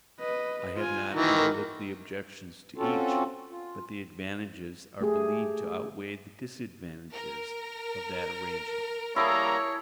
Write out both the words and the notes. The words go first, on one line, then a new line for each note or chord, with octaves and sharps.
I have not overlooked the objections to each, but the advantages are believed to outweigh the disadvantages of that arrangement.
B4 D#5
F4 G#5
D#3 E3 F#4 A#4
C4 C#4 F4 F#4 A4
F4
A3 G4 G#4
A#4
G3 A#3 E4 G#4 A4 C#5 A#5